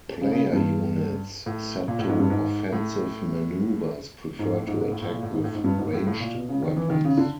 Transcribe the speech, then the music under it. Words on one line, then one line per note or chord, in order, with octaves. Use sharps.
Player units set to offensive maneuvers prefer to attack with ranged weapons.
C#3
C#3
G2
A2
A#2
A2
G#2
G2
G#2
A2
G#2
A2
G#2
G#2
A2
A2
A#2
A2
G#2
A2
G#2
G2
G#2
A2
A2
A#2
B2
C#3
D#3
E3
D#3
C#3
D3